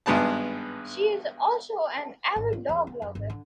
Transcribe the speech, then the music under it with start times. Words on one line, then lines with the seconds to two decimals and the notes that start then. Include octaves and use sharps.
She is also an avid dog lover.
0.06 G#1 G2 G#3 B3 D4 A5
2.36 G#1
2.53 F4
2.69 E2
2.87 D3
3.02 F#2
3.15 G#1
3.30 D3